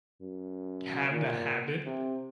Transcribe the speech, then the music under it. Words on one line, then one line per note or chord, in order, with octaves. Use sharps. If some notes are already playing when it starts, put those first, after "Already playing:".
have the habit
F#2
A#2
C3